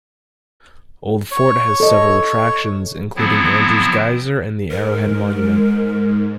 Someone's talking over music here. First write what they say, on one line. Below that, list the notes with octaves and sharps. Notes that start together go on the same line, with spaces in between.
Old Fort has several attractions, including Andrews Geyser and the Arrowhead Monument.
C#5
A4 D#5
D3 F3 F#3 B3 C4 E4
G#2 A#4